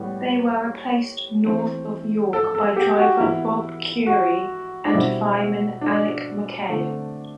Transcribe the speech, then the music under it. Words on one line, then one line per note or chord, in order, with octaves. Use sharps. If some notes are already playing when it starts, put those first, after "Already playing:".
They were replaced north of York by driver Bob Currie and fireman Alec Mackay.
Already playing: A2 G3 B3
E3 A3 C4
A4
A4
G4
F#4
E3 B3 E4
F#4
D4
B2 G3 C4 E4
D4
D3 A3 C4